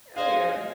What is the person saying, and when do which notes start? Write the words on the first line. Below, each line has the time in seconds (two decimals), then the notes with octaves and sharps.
Oh, yeah,
0.16 G#4 C5 D#5 F5 G#5
0.54 D#5